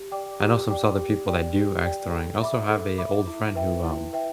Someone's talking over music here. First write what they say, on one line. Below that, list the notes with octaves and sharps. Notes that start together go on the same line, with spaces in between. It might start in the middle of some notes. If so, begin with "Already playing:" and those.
I know some sorta people that do axe throwing. I also have a old friend who, um
Already playing: G4
D5 G5 D6
G4
D5 G5 D6
G4
D5 G5
G4
D5 G5
A4
E5 B5 D6
A4
E5 B5 D6
E4
B4 E5 G5
E4
B4 E5 G5